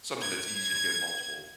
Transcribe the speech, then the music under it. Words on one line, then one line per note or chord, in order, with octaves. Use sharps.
Something that's easy to get multiple,
G#6